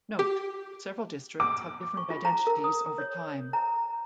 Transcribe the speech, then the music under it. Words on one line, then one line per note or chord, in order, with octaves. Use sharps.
Note: several districts have different identities over time.
G4
D6
C#6
F4
A#5
A#4
D#6
C#5
A#5